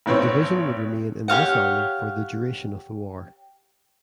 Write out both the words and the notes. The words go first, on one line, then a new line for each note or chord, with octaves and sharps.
The division would remain in this Army for the duration of the war.
G#1 B3 C4 C#5
G4 C#5 F5 F#5